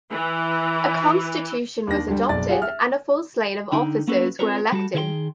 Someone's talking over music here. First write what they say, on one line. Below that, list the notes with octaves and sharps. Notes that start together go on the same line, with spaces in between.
A constitution was adopted and a full slate of officers were elected.
E3
D#2 D4 A#6
D2 G3
F#1 B1 D5 A6
F4 G4 G#4 F#5
E5 F6
D3 D#4 G5
A#3 B3 C#4 F#4 A4 B4
C4 F4 G#4 A#4 B4 C#5
G3 F#4 A4
D#3 G#4 B4 E5 G5 C6